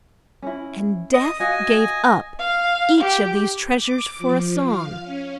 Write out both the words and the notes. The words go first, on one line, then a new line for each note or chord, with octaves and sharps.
And Death gave up each of these treasures for a song.
C#4 E4
D#5 D#6
F#4 D#5 F5 F#5 G#5
F5
G4
D6
F3
F5
C#4